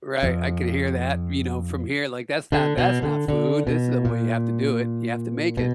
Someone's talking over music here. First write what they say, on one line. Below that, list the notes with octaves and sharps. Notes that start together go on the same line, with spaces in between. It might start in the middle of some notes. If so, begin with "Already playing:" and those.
Right, I could hear that, you know, from here, like, that's not that's not food. This is the way you have to do it. You have to make it.
F2
D3
B2
D3
D3
B2
A#2
B2